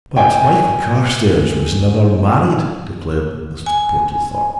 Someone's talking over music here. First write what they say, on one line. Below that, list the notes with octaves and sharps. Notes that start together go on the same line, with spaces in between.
"But--Michael Carstairs was never married!" declared Mr. Portlethorpe.
G5 G#5
G#5